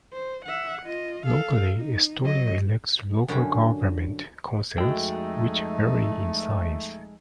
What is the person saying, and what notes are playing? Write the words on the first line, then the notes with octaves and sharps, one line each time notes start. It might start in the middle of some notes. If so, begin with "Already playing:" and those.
Locally, Estonia elects local government councils, which vary in size.
C5
E5 F#5
F4 D#5
A4 F5
D#4
F#3 D#5
F#2 D3 G3 C#4 G5
F2 G#3 A3 D#4 F#4 A4 D#5 G5